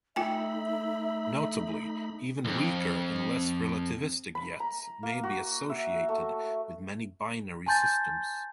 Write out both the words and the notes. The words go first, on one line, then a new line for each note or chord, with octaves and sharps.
Notably, even weaker and less relativistic jets may be associated with many binary systems.
A3 D#4 F4 E5 G5 G#5 B5
C2 F2
B5
A#5
A#3
F#4
E5
A3
G#5 A5 C6 G6 A6